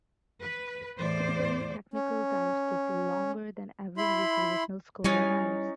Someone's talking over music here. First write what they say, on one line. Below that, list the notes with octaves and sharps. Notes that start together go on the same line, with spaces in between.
Typically, technical dives take longer than average recreational scuba dives.
B4
E2 A2 C5 D5
C#4
E4 B5 C6
G3 C#4 D#4 E4 C#5 G#5 A6